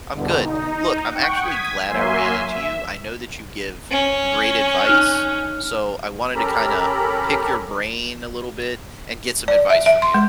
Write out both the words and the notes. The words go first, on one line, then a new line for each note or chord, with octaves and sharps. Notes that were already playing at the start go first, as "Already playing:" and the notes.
I'm good. Look, I'm actually glad I ran into you. I know that you give great advice, so I wanted to kinda pick your brain a little bit and get some advice from you.
E2 G2 B2 D3
D#4
F#5 G5 C#6
D#6 G#6 B6
F#3 A#3 E5 G#5 C6
E5
C#4
D#4 F6 F#6
C#4 G4 A4 A#4 A#5 B5
D5
E5
E5
C6
G#3